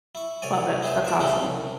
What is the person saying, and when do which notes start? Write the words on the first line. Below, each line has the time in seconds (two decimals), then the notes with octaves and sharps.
Love it. That's awesome.
0.15 E4 C#6
0.42 C2 C#5 D5 G#5
0.82 E4 G4 G#4 B4 C5
1.05 D5 E5 C#6
1.20 C#3 G3 A3 E4 G4
1.44 C2